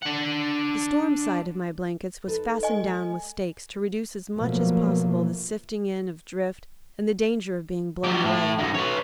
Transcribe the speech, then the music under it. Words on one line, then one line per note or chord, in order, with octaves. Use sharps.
The storm side of my blankets was fastened down with stakes to reduce as much as possible the sifting-in of drift and the danger of being blown away.
D4 F#5
D#4 A4 B4
D#5 G#5
G#3
B2 F3 F#3 A3 A#3
F#3 G4
A2
F#2 D#3
B4 C#5